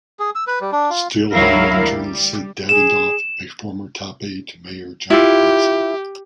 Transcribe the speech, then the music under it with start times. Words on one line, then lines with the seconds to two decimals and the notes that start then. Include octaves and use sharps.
Steel hired attorney Sid Davidoff, a former top aide to Mayor John Lindsay.
0.19 G#4
0.35 E6
0.47 B4
0.61 G3
0.72 D4
0.90 F4
1.33 D2 F#3 E4 A#4 F5
1.84 G3
2.69 G#4 E7
5.10 E4 F4 G4